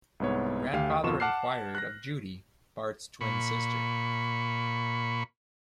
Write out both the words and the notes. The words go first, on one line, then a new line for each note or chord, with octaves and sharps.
Grandfather inquired of Judy, Bart's twin sister.
C2 G#2 B3 C#5
D2 G4 F5
F2 B2 F4 C#6 E7
F#5 A5 D6 F6 F#6 C7
F#6 A#6
A#2 B5 C#6